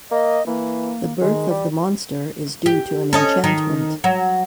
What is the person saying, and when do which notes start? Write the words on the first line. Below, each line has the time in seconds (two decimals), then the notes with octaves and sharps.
The birth of the monster is due to an enchantment.
0.11 A#3 D#5
0.47 E3 A#3
1.21 D#3 G#3
1.50 G3 G4
2.66 G4
3.13 C#4 A4 D#5
3.44 D#3
4.04 F#3